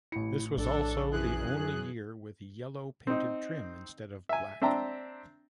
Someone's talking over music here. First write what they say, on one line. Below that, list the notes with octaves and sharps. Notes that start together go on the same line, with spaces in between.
This was also the only year with yellow painted trim instead of black.
A1 E4 C#7
A#1 D4 A4
F#2 E3 G#4 F#6
C4 D#4
E5 G#5
C4 D4 E5 G5 A5 A#5